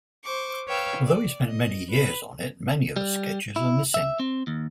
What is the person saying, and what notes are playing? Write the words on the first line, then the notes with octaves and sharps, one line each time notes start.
Although he spent many years on it, many of the sketches are missing.
C5 C#6 D6
B4 C#5 F5 G5 E6
D5
D#5
B4
G3
E4
E5
C4
D#2